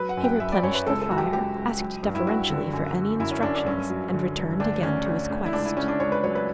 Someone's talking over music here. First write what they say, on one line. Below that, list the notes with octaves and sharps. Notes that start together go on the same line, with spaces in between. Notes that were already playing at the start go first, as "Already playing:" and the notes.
He replenished the fire, asked deferentially for any instructions and returned again to his quest.
Already playing: F#3 B4
F#5
F#2
G5
F#2 E5
D5
F#2 C#5
B4
C#2 A4
A4
F#3 F#4
G4
C#2 G4
C#2
F#3
G2
E4
G2 F#4
D3
F#2
F#3
F#2 E4
C#4
F#2 D4
D4
G2 C#4
F#3
D3
G2
D2 D4
D2 C#4
D2
D2
E4
C#2 D4
E4
C#2 C#4
D4
C#2 C#5
B4
F#3 C#5
B4